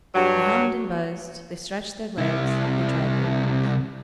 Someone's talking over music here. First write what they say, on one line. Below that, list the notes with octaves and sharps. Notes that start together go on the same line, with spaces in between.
They hummed and buzzed, they stretched their legs, they tried their wings.
G2 F#3
C2 E4